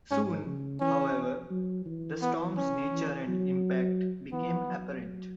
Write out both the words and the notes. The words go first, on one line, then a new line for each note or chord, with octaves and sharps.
Soon, however, the storm's nature and impact became apparent.
G#2 C#4
C#3
E3 C#4
F#3
E3
B3
C#4
E3
F#3
E3 B3
F#3